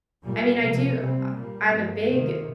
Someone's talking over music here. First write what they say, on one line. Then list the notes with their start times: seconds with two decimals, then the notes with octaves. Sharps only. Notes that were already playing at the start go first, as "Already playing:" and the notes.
I mean, I do I I'm a big,
0.23 A#2 G3 A#3
0.61 C3 F3 A#3
0.98 C3 G3 C4
1.34 A#2 G3 A#3
1.71 G2 F3 A#3
2.08 C3 D#3 A#3